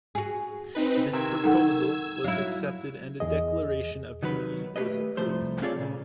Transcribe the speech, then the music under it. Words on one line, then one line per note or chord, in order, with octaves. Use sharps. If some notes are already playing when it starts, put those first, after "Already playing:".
This proposal was accepted and a declaration of union was approved.
F#4 G#4
C4 D#4 B4
C3 D#3 E6 G#6
F#2 D#3 D#4 A4 F#5
F#3 E4 F5
E2 G#4 D#5
D#3 F#3 D#4 B4
A3 G4 G#4 B4 D#5
C2 F3 A3 C5
C4 F4 G#4 A4 C#5 D5
A#2 C#3